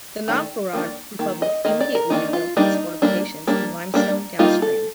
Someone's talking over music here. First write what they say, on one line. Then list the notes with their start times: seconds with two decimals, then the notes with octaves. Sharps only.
The Novgorod Republic immediately rebuilt its fortifications in limestone downstream.
0.28 D#3 A3 D4
0.73 D#3 A#3 D4
1.19 D#3 A#3
1.42 D#5
1.65 D#3 A#3 D#5
1.81 D5
1.95 A#4
2.10 D#3 A#3 D4 D#4
2.33 F4
2.57 G3 A#3 D4 D#4
3.02 G3 A#3 D4
3.47 G3 A#3 D4
3.94 G3 A#3 D4
4.39 G3 A#3 D#4 F4
4.62 A4